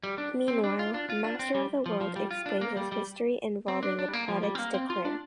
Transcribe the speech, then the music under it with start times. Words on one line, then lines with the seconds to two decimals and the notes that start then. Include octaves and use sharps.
Meanwhile, Master of the World explains his history involving the Plodex to Claire.
0.04 G3
0.18 D4
0.48 C4
0.64 D4
0.79 F4
0.94 D4
1.10 F4
1.24 D4
1.39 C4
1.54 G3
1.86 F3
2.01 F3
2.16 G3
2.31 F4
2.46 D4
2.61 A#3
2.77 G3
2.92 G3
3.68 C4
3.83 D4
3.99 D4
4.09 G3
4.13 A#3
4.28 F3
4.43 G3
4.55 C4
4.59 A#3
4.74 C4
4.90 F4
5.05 D4